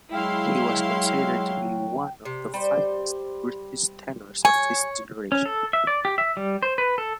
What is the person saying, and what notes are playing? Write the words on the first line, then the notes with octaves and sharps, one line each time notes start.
He was considered to be one of the finest British tenors of his generation.
F#3 G#3 E4 F5 G5 C6
C3
G3 C5
C#5 G#5
C#4
A4
E5
D5
G4
E5
G3
C5
B4
A4